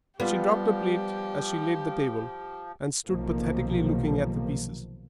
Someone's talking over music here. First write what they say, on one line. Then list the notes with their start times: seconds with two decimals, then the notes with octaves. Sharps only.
She dropped a plate as she laid the table, and stood pathetically looking at the pieces.
0.20 F3 G3 B3 F4 G4
3.08 B1 C3 D#3 F3 A#3